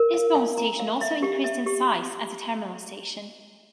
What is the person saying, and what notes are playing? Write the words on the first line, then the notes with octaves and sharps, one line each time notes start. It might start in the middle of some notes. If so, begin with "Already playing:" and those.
Eastbourne station also increased in size as a terminal station.
Already playing: A#4
F5
F5
A#5
F5
E5
G4
E5
G4